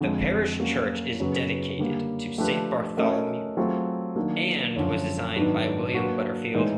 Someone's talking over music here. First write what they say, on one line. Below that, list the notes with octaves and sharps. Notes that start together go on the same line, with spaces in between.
The parish church is dedicated to Saint Bartholomew and was designed by William Butterfield.
F2 D3 F3 G#3
F#3 A#3 C#4 F#4
F#2 C#3 F#3 B3
D3 G3 A#3
F3 A3 D4 G4 B4
A3 C#4 F#4 A#4 D#5
F#3 A3 C4 F4 G#4
D#3 F#3 A#3 D4
F#2 D3 F3
G#2 D#3 F#3 B3 D4
F#3 A#3 D4 F#4 B4
A2 E3 G#3 B3 D#4